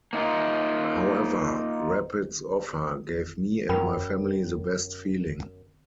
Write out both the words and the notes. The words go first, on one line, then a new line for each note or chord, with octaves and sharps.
However, Rapid's offer gave me and my family the best feeling.
A#3 D#4 F4
F#2 A#4 G5 B5